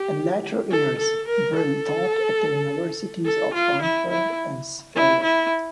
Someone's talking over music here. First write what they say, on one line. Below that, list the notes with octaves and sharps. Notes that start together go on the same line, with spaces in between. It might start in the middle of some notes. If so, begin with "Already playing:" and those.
In later years, Brill taught at the universities of Frankfurt and Speyer.
Already playing: G4
A4
A4
A#4
A4
A4
F4
E4
E4
E4
E4